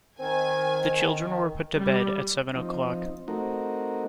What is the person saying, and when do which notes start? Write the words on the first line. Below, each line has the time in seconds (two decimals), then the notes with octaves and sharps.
The children were put to bed at seven o’clock.
0.19 D#3 C4 G#5
1.76 G3
2.56 F3 C4 D#4
3.28 A3 C4 D#4 F#4 A#4